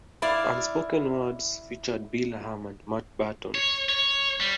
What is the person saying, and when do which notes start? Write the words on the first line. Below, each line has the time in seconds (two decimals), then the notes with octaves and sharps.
"Unspoken Words" featured Bill Ham and Matt Betton.
0.22 E4 D5 F5
3.55 C#5
3.89 C#5
4.40 G3